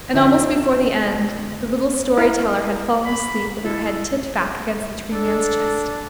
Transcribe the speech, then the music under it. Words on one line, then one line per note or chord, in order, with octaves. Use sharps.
And almost before the end the little story teller had fallen asleep with her head tipped back against the Tree Man's chest.
F2 D3 E5 G5 G6
E4 A#4 F5
B5
E4 A4
D4 A4